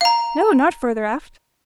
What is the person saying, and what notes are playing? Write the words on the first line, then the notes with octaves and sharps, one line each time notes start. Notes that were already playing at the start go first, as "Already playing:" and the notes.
"No, not further aft."
F5 A#5